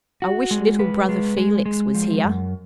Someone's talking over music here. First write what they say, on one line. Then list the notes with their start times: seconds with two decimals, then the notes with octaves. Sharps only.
I wish little brother Felix was here!'
0.22 F#4
0.51 G#3
0.79 B4
1.09 G#3
1.37 G#3
1.66 G#3
1.95 F3
2.24 F#2